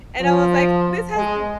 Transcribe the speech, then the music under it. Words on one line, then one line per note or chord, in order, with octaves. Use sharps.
and I was like, "This has b
F3
G#3